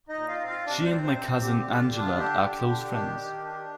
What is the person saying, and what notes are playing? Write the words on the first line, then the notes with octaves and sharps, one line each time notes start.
She and my Cousin Angela are close friends.
D#4 D#5
A#2
F4 F5
C4
F4 F5
C3 D4 D5
C4 C5
C3
C4 C5
C4
D3 G4
G4
D3 F4
G4
D4
F4
D3 G4
D3
D4
D#3
D#3
D4